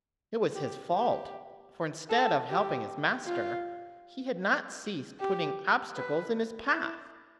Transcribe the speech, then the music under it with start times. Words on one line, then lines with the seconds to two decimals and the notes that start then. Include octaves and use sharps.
It was his fault, for, instead of helping his master, he had not ceased putting obstacles in his path!
0.55 G4
0.93 G4
2.09 A4
2.49 G4
3.26 F4
5.20 G4
5.97 B4
6.74 E4